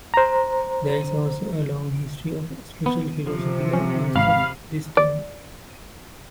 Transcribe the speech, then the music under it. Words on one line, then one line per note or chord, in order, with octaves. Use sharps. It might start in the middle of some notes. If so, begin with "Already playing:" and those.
There is also a long history of special philosophical use of this term.
C5 A#5
B3
C3 F3
C#4
G#1 F5 B5
D5